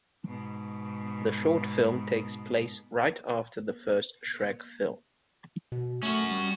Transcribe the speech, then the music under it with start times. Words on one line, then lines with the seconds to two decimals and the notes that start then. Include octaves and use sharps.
The short film takes place right after the first Shrek film.
0.25 G#2 B2
5.72 B2
6.03 A3 C#4 F#4
6.31 G3